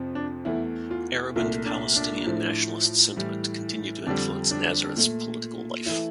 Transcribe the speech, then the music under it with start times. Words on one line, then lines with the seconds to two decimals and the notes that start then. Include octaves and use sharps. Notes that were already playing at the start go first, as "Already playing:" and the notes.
Arab and Palestinian nationalist sentiment continue to influence Nazareth's political life.
Already playing: F2 C3 F3
0.15 D4
0.45 E2 E3 A3 E4
0.91 F4
1.36 C2 A#2 A3 F4
1.66 D4
1.96 D4
2.26 A2 F3 A3
3.16 A2 E3 G3
4.06 F2 D3 G3 D4
4.51 D4
4.97 A#2 A3
5.86 E3 A3 E4